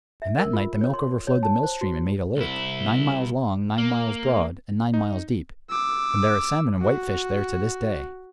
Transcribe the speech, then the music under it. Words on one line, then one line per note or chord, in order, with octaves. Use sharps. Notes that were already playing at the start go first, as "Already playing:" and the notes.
And that night the milk overflowed the mill-stream and made a lake, nine miles long, nine miles broad, and nine miles deep; and there are salmon and whitefish there to this day.
E5
A#4
F4
C#5
C6
C#5
A5
C5
F#4
C2 E4
A#3
D#4
D6 E6
F#4